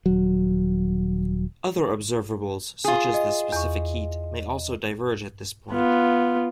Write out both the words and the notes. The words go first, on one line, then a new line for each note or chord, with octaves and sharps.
Other observables, such as the specific heat, may also diverge at this point.
D#1 F#3
F4 G#4
D#5
E2 C#6
B3 F4